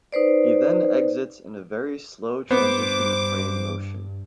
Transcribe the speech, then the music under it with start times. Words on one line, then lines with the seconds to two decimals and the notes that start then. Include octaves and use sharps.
He then exits in a very slow-transition-of-frame motion.
0.12 D#4 B4 C5 D5
2.51 G2 B3 C5 D6